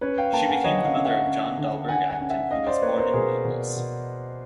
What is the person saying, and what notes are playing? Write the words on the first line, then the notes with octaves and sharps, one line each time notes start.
She became the mother of John Dalberg-Acton who was born in Naples.
C#4 B4 C#5
F5 G5
A#3 G5 A5
F#5 G#5
D3 C#5 D#5
F#5
D#5 F5
C#4
E5 F#5
C#4
D3
D3 F#5 G#5
F#5 G#5
C#4
E5 F#5
C#4 D#5 F5
C5 D5
A#3 B4 C#5
A#4 C5
B2 G#4 A#4
B2
B2